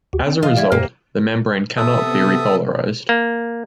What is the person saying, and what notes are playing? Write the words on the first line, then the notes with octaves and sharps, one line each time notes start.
As a result, the membrane cannot be repolarized.
D#2 F#4 G4
C4 D5 G5
E3 F4 D#5
E3 G3 E4 D5
F#2 A#2 A#3 G4 C5
C3 B3 A4 E5 D#6
A#3